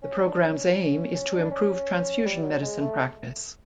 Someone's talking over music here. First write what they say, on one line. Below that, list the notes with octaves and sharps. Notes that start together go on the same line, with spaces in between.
The programme's aim is to improve transfusion medicine practise.
C#4
D4
C#4
C#4
D4
C#4
G3
F#3
G#3
A3